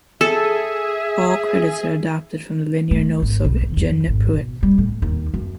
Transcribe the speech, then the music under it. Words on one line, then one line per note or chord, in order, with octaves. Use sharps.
All credits are adapted from the liner notes of "Jeanne Pruett".
G#4 A4 E5
A3
G#1
B1
E2
F2
G#1
B2
G3
A2
D#2
F#2